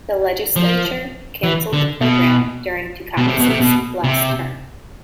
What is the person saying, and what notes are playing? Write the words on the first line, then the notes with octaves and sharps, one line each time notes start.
The legislature canceled the program during Dukakis's last term.
F3
E3
D3
B2
B2
C3
B2
C3
B2
C3